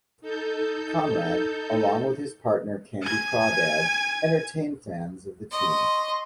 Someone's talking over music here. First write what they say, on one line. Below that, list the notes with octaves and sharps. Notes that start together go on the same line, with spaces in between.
Conrad, along with his partner Candy Crawdad entertain fans of the team.
D#4 A4 G6
G#5 G#6
D#5 C6 C#6 D#6